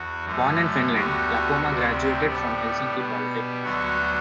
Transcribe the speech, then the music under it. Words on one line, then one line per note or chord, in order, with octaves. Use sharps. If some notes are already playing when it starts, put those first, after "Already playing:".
Born in Finland, Lakomaa graduated from Helsinki Polytechnics.
Already playing: E2 F#4
F#2 D3 A3
D2 D3 G3 B3 F#4
D2 C3 G3 D4
A2 G3 B3 D4
B2 G3 B3
D2 D3 F#3 B3 F#4